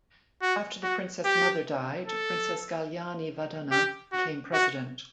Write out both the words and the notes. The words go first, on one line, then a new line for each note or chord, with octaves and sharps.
After the Princess Mother died, Princess Galyani Vadhana became President.
F#4
F#4
G4
A4
G4
F#4
F#4